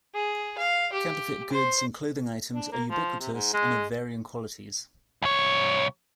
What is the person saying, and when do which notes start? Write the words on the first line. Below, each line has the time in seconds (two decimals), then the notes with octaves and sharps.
Counterfeit goods and clothing items are ubiquitous and of varying qualities.
0.14 G#4
0.58 F5
0.93 G4
1.52 C5
2.54 D4
2.72 A#3
2.90 F3
3.19 C3
3.33 G#2
3.53 G#3
5.22 C2 C#5